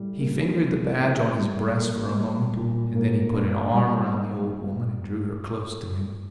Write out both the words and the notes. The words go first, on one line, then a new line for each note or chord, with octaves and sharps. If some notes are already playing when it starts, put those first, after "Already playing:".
He fingered the badge on his breast for a moment, and then he put an arm around the old woman and drew her close to him.
Already playing: A2 G3
A#3
E3
A2
G3
A#3
G3
A#2
A#3
D4
G3